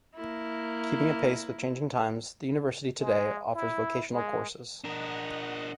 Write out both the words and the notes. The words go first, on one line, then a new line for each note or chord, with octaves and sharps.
Keeping apace with changing times, the University today offers vocational courses.
A#3 E4
G#3
E4
G#3
D4 A#4 D#5 F#5